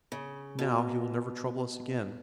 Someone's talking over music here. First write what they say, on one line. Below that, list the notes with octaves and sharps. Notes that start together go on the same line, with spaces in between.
Now he will never trouble us again.
C#3
B2